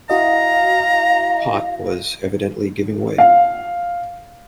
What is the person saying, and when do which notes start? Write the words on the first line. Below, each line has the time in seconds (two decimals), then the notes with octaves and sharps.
Pott was evidently giving way.
0.10 E4 F#4 D#5 F5 A#5
3.18 F5